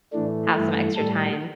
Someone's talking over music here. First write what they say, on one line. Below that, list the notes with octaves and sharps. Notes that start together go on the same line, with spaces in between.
have some extra time,
A2 E3 A3 D4
G2 E3 A3 E4
A2 G3 A4